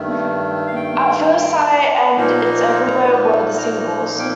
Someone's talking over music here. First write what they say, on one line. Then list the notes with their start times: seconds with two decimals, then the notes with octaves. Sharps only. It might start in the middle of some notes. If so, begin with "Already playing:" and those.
"At First Sight" and "It's Everywhere" were the singles.
Already playing: G2 D#3 A3
0.67 F5
0.76 G5
2.17 A#2 F3 A#3 D#4
2.87 A#5
3.58 A#5
4.19 G5